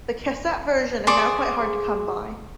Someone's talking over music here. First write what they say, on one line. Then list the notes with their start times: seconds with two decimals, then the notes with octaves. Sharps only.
The cassette version is now quite hard to come by.
1.07 G#4 C5 D5 C#6